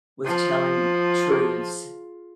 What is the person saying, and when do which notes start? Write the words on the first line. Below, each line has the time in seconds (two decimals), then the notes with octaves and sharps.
with telling truths.
0.25 F3
1.31 G#4